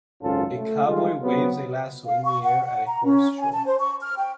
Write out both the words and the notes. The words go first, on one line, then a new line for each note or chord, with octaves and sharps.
A cowboy waves a lasso in the air at a horse show.
G#1 C#2 F#2 C#4 F4 A4
A3
D#3 G3 G#3 F4
C3 F#3 B3
F5
C#6
F#5
F#5
A#5
C#4
G#5
A5
C5
C#6
F6
G5